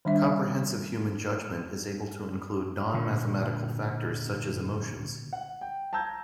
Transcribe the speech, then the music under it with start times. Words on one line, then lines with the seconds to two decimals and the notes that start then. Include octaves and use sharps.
Comprehensive human judgment is able to include non-mathematical factors such as emotions.
0.05 D#3 G3 D4 E5
2.94 A#2 D3
5.33 F#5
5.61 G5
5.93 A5 A#5 E6 G6 G#6